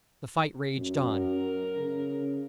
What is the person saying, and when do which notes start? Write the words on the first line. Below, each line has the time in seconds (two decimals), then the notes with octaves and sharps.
The fight raged on.
0.77 F#2
1.16 A#4
1.77 C#3